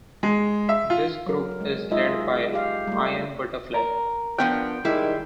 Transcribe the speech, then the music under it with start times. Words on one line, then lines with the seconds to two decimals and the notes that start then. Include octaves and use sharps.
This group is led by Iron Butterfly.
0.23 G#3
0.69 E5
0.90 F4
1.26 F#3 A#4
1.61 G#3
1.91 G#3 D#4 F4 D#5 E5
2.53 G4 F5
2.87 G3 A3
3.74 A#4
4.38 F3 B3 D4 A#4 G5
4.85 D#3 G3 G#3 E4